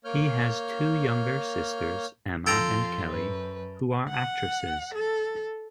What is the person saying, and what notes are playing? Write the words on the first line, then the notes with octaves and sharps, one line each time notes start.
He has two younger sisters, Emma and Kelly, who are actresses.
A#3 C#5 F6 G6
F2 F4 A4 G5 A#5 C6
F#2 B4
F#5
A4